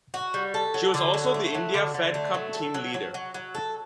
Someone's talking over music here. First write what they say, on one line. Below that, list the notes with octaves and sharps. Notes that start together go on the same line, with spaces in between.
She was also the India Fed Cup Team leader.
F#4
G3
A4
F#3
D3
F#3
A3
F#3
D3
D3
A3
F#3
A4
F#3
F#3
F#3
F#3
A4